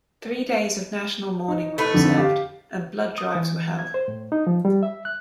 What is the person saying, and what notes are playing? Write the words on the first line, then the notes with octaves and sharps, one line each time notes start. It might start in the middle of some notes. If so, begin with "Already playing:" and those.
Three days of national mourning were observed, and blood drives were held.
D#4
A3 B4
F2 D3 D#3
G4 F5
D#6
E3
G#6
C5
A2
D#4
F3
G3
E5
F#6